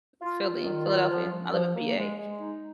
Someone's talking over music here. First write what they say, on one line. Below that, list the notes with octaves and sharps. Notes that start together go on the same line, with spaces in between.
Philly, Philadelphia. I live in PA,
F4
F4
D#3
F4
F3
F3
F3
A#3
G#3
G#3
D#4